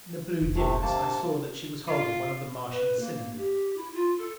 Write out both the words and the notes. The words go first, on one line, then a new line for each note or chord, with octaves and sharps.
In the blue dimness I saw that she was holding one of the Martian cylinders.
F1 C2
C3 A3
C3 D#3 A#3 D4 A5
F4
B4
A#3
G4
E4
F4
A4